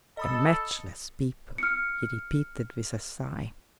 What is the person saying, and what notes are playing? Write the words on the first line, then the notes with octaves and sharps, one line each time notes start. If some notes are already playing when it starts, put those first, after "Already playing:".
"A matchless people!" he repeated with a sigh.
A4 D#5 B5 D#6
F6 C#7